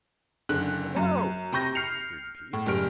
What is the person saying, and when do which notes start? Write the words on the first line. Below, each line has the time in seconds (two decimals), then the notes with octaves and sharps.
"Hello!" greeted he.
0.49 F#1 D3 F#6
0.96 F#2
1.52 C3 G4 B5 C#6 G6 A#6
1.75 F6 C7 C#7 F7
2.53 A2
2.66 F#1 G3 F6 D7